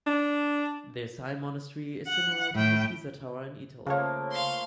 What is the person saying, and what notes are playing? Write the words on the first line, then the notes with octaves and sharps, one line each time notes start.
This high monastery is similar to the Pisa Tower in Italy.
D4
F#5
A2 G5
C#3 F3 A3 A#3 C#5
F5 C6